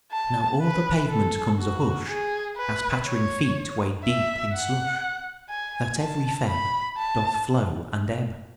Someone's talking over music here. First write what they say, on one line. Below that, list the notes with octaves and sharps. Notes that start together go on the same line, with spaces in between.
"Now o'er the pavement comes a hush As pattering feet wade deep in slush That every Feb. Doth flow and ebb."
A5
B4
A4
F#4
G#4
B4
C#5
E5
F#5
G#5
A5
B5
A5